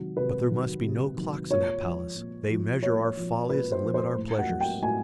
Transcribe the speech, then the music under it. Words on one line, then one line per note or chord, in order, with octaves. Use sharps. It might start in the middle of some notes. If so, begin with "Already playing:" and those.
But there must be no clocks in that palace--they measure our follies and limit our pleasures.
Already playing: C3 D#3 F#3
C3 B4
D#3 F#3
C3
D#3 F#3
A#2 C#5
F3
A#2
F3
A#2 C#5
F3
A#2 B4
C5
F3
C5
A2
F#5
F#3
G5
A2 G#5